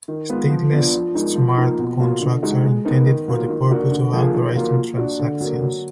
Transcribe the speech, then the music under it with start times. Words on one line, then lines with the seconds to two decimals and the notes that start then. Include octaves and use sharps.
Stateless smart contracts are intended for the purpose of authorizing transactions.
0.08 D#3
0.29 G#3 B3 F4 B4
0.50 F3
0.72 B3 D4 F4
0.93 F3
1.14 G#3 D#4 A#4
1.35 F3
1.57 A#3 D#4 A#4
1.78 B2
2.00 F#3 A#3 F4
2.21 D3
2.43 G#3 D#4 F#4
2.64 G#3
2.85 B3 D#4 A#4
3.06 D#3
3.28 F#3 A#3 F4 A#4
3.49 D#3
3.70 A#3 D4 F#4 A#4
3.91 D3
4.13 F3 A#3 F4 G#4
4.33 D#3
4.55 F#3 A#3 F4 A#4
4.76 A#3
4.97 D4 F#4
5.19 D3
5.41 F#3 A#3
5.62 F#3